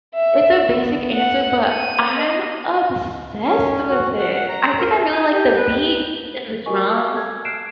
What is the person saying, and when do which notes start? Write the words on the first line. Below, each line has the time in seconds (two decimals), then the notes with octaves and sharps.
It's a basic answer, but I'm obsessed with it. I think I really like the beat and the drums.
0.15 E5
0.73 B3
1.14 F#5
1.70 D#7
2.18 D#5
3.46 C#4
3.89 F#4
4.18 F#5
4.33 F#5
4.49 A#5
4.78 A#4
4.92 E5
5.12 G#5
5.31 G4
5.56 B4
6.66 F#4 G4 A#4 D#5 G#5 C#6
6.88 D#5 E5 A5 C#6 D6 E6
7.13 A4 A5 G#6
7.45 F6 F#6 G#6 C7 D7 E7